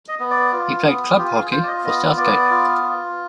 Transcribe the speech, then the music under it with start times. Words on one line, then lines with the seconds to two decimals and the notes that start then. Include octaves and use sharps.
He played club hockey for Southgate.
0.08 D#5
0.20 B3
0.31 D5
0.52 F4
0.85 B3
1.18 F4 G4
1.35 G#4
1.51 F4 C5
1.63 D5
1.67 D#5
1.84 B3 D#5
2.17 B3 D5
2.51 F4
2.83 F4